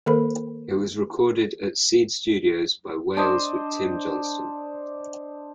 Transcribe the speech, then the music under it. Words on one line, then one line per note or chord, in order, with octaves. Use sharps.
It was recorded at Seed Studios by Wales with Tim Johnston.
D#3 A#3 A4 A#4 C5 B5
D4 C5 D#5